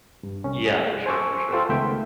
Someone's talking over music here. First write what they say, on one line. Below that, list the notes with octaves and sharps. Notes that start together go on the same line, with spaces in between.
Yeah, for sure, for sure.
G2
C2 C#4
G#4
C5 G#5 A5 C#6 D6 E6
F4 A4 C5 G5 E6
C#2 D#3 A3 B3 E5 G5